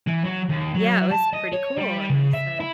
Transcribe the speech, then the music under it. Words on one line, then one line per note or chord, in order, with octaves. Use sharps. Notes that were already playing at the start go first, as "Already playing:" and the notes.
Yeah. It was pretty cool, and I said,
E3
F#3
D#2
F#3
A5
D#5
C#5
G3
C#3
E5
E4